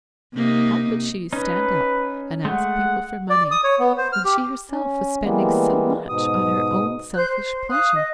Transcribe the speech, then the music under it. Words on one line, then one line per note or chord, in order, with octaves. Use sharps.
How could she stand up and ask people for money when she herself was spending so much on her own selfish pleasure?
C3 A#3 D#4
C#4 D#4 B4
G#3 A3 F#5
D5
D#6
C#5
B3
C5
F6
G4
C#4
E3 G3 G#3 A#3 B3
G#2 B2 D#6
C5 F#6 G6
C5
F5 D#6 F#6
D#5